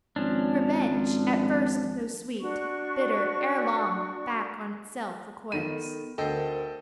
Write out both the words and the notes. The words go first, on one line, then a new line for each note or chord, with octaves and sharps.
"Revenge, at first though sweet, Bitter, ere long, back on itself recoils."
G#1 F3 C#4 D4
D4 F#4 C#6
D#3 B3 A4 D#7
D2 A4 A#4 C5 D#5 G5